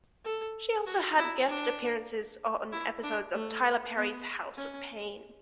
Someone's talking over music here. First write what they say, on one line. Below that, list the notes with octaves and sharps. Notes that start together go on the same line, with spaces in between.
She also had guest appearances on episodes of "Tyler Perry's House of Payne".
A4
F#4
E4
D4
E4
D4
A3
B3
C#4